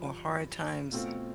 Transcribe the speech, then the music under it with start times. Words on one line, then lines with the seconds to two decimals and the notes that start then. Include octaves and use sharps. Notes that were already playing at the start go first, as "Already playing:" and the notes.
or hard times
Already playing: G1 G2 F3
0.92 B2 A3 C4 F4 A4